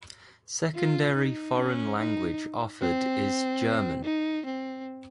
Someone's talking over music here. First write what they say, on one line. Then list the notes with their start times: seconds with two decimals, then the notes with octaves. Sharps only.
Secondary foreign language offered is German.
0.75 F4
1.16 D#4
1.57 C#4
1.99 D#4
2.81 C4
4.04 D#4
4.45 C4